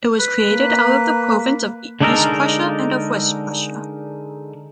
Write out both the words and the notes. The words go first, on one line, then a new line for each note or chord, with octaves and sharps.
It was created out of the Province of East Prussia and of West Prussia.
B4
A#3
D3 G#3 D4 D#4 A4 A#4